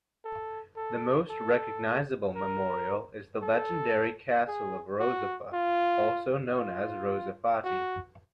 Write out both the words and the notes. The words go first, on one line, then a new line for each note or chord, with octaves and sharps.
The most recognizable memorial is the legendary Castle of Rozafa known also as Rozafati.
A4
A4
A4
A#4
A4
G#4
F#4
F4
F4
F#4